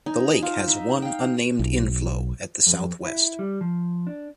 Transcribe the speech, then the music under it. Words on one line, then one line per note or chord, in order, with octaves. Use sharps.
The lake has one unnamed inflow at the southwest.
D#4 G#5
F4
D#4 E5
F5 G5
B1
F2
E4
G3
F3
D4